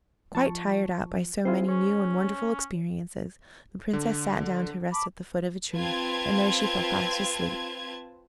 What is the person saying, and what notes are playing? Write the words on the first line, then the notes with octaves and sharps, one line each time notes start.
Quite tired out by so many new and wonderful experiences, the Princess sat down to rest at the foot of a tree, and there she fell fast asleep.
F3 A5 C#6
C4 E4 F4 G#4 C5
C#4 C#5
D3
A5 B5 D6
C4 F4 B4 A5 G#6